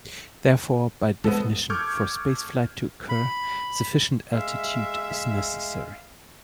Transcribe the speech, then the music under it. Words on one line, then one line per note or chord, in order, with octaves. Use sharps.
Therefore, by definition for spaceflight to occur, sufficient altitude is necessary.
G#3 B3 A4
A4 C#6 D6 F6 G6 G#6
B5
G#3 E5 F5